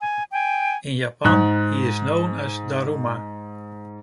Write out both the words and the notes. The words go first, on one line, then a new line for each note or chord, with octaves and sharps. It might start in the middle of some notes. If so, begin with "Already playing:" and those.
In Japan, he is known as Daruma.
G#5
G5 G#5
G#2 F#6